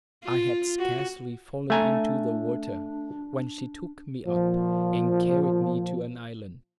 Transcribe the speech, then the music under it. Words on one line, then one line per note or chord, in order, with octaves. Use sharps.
I had scarcely fallen into the water, when she took me up, and carried me to an island.
F4
F#4
A3 D4 G#5 A#5
A#2 F3